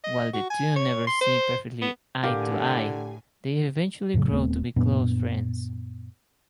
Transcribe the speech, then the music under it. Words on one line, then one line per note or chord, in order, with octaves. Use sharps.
While the two never see perfectly eye-to-eye, they eventually grow to be close friends.
D#5
F#4
G#5
C#5
C6
C5
B3
A2 D3 G4 A#4 F5 G#5
F2 A2 C#3 F#3
D#1 A3 B3 C4
F#2 A#2 B3 D4